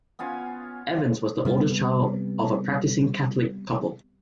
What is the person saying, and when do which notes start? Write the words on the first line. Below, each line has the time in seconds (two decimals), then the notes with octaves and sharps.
Evans was the oldest child of a practicing Catholic couple.
0.19 B3 C#4 F4 G#5
1.45 C3 G3 A3 B3